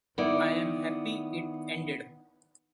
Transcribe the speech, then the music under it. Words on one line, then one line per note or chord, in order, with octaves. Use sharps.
I am happy it ended.
D#3 B3 E4 D5